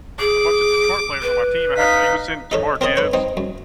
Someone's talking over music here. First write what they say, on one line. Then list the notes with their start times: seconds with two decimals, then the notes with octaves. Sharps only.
a bunch of Detroit players on my team; I had Jameson, Jamar Gibbs.
0.20 G#4 D6
1.22 B4
1.77 D#4 D#5 F5 B6
2.52 D#4 A4 C#5
2.81 C4 A#4 C5 C#5 D#5
2.97 B4 C#5
3.13 C4 D#4
3.37 F#2